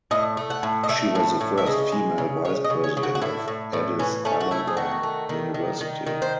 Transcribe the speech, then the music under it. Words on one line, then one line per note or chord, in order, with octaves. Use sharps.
She was the first female Vice president of Addis Ababa University.
A2 D#5
A3
F#5
A2
D#5
A3 E5
A2
A2
E5
C#3 D#5
G#3
C#3
C#3 C#5
D#5
C#3
C#5
C#3
F#4
F#4
A2 E4
A2
A2
E3 C#4
A3 C#4
F#4
A3 E4
G#4
D#3 F#4
A3
D#3
D#3
D#3
D#3
C5